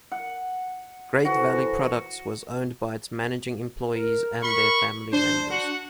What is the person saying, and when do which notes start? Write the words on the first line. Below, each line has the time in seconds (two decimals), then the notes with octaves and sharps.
Great Valley Products was owned by its managing employees and their family members.
0.12 F#5
1.25 E3 F#4 A4 C5
3.96 A#4
4.42 B5 C#6
5.13 D4 C5
5.51 F#4 F#5